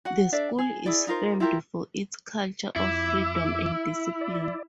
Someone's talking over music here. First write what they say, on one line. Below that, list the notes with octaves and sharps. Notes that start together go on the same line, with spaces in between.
The school is famed for its culture of "freedom and discipline".
F#4 F#5
D4 A4 D5 E5
G#4
E4 G#4 D5
D#4 F4 A#4 C5
E4 F4 G4 A#4
F2 E4 E5 D6
D5